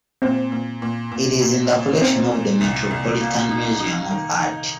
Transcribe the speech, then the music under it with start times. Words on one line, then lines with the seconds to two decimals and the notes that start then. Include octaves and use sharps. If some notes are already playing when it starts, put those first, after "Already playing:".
It is in the collection of the Metropolitan Museum of Art.
0.22 A#2 C4
0.52 A#2
0.82 A#2
1.12 A#2
1.42 A#2
1.71 A#2
2.01 C4 D#4
2.31 A#2
2.61 C2
2.91 C2
3.20 A#3
3.51 D#4
3.80 D#4
4.10 D#3
4.40 D#4